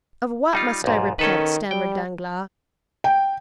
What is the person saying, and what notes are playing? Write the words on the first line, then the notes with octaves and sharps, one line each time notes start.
"Of what must I repent?" stammered Danglars.
G3 D#4 F4
B1 G#2
D#3 C#4 A4 B4
G3 G5
G5